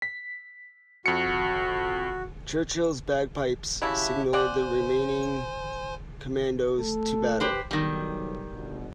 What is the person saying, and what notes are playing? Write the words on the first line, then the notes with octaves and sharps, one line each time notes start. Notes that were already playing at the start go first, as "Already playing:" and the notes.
Churchill's bagpipes signalled the remaining Commandos to battle.
B6
F2 F#4 C#7
C#3 E4 F#4 G4 E5 A5
C4 C5 D5 F#5 G#5 C6
A3 A4
G4 B4 C5
B1 D#3 G3
G1 B2